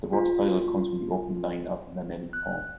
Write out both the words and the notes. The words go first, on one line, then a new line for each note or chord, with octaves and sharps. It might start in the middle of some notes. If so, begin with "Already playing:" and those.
The work's title comes from the opening line of Mameli's poem.
F4
F#6